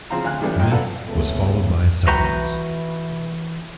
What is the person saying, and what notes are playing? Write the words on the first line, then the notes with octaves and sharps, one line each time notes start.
This was followed by a silence.
C#3 F3 C4 F5 A#5
D2 F5 G#5 F#6
E2 A2 D3 G3 B3
C#2 F#3 D#5 G5
A4 B4 D5 F5 F#5
C#2 A#2 C#3 A3 B3
E3 F#4 B4 F#5 G5 A#5